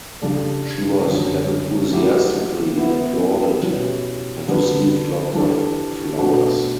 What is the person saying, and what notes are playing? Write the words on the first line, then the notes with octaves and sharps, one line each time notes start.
She was enthusiastically applauded and received lots of flowers.
C#3 G3 D4 A4 D5
F#2 D3 G3 C#4
F#3 A3 E4 G4
E3 B3 E4
B2 G3 C#4 E4
D3 G3 D4 F#4 B4
E3 G3 D4 A4
B2 A3 D4 F#4 A4